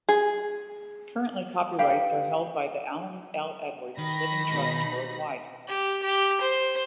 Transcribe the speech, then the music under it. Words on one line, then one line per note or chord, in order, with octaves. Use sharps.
Currently copyrights are held by The Allen L Edwards Living Trust worldwide.
G#4
G4 B4 F5 G5
D#3 B5 A#6
B2 G#3 D#4
G4
G4
C5